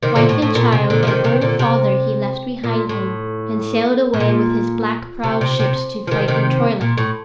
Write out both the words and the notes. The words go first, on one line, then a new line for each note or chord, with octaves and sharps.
Wife and child and old father he left behind him and sailed away with his black-prowed ships to fight in Troyland.
C3 D#3
A#2 D3
A2
A2
A#2
C3
A#2 D3
F3
C3 D#3
C3 D#3
A#2 D3
C3
A#2
A2
A2
A#2
C3
C3
C3
F3
C3 D#3
C3 D#3
A#2
A2